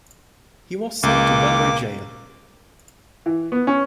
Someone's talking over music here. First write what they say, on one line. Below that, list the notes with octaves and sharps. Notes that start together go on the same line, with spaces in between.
He was sent to Bellary Jail.
C#2 A#3 D6
E3
B3
C#4